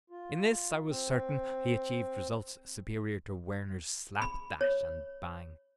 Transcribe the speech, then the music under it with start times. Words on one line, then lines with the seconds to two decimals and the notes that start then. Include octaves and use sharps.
In this I was certain he achieved results superior to Werner's slap, dash, and bang.
0.10 F4
0.89 C4
4.22 B5
4.61 C#5